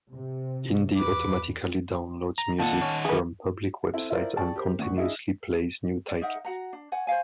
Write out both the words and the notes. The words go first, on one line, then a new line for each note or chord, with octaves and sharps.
Indy automatically downloads music from public websites and continuously plays new titles.
C3
E2 B4 D6
A#5
A#2 D#3 F#5 A5
C#4
E3 G#4 B4
C4 E4 A4
E4 F4 A4 A#4 C5 D5
G#4 D5 G5 A5 C#6
G4 A#4 C5
D2 F#5 C#6
D4 E4 G#4 D#5 E5
D5
D#4 A#4 E5 F#5
F#4 F#5 A#5
D4
C#5 F#5 G#5
C5 C#5 F5 G#5